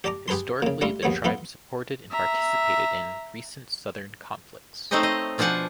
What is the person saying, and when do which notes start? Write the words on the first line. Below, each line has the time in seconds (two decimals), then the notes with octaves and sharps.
Historically the tribe supported and participated in recent southern conflicts.
0.04 G4 D5 A5 A#5 D6
0.28 G4 G#4 B4 A5 C6
0.62 A#2 C#3
0.81 G3 A3 D4 E4 F4
1.03 A#1 D#2 B3 G#4 C#5
1.24 B3 E4 F4 A4
2.10 E5 A#5
4.91 A3 C4 D#4 C5 C#5 D#5
5.03 D#5
5.38 B2 F3 D4 C5 F#5 G#5